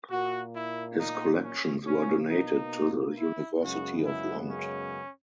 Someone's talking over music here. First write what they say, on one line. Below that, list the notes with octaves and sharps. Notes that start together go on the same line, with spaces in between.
His collections were donated to the University of Lund.
A#2 A#3 F#4
E4
D#4
C#4
B2 A#3 C#4
D#4
E4
F#2 C#3 G#3 B3 F#4
E4
C#4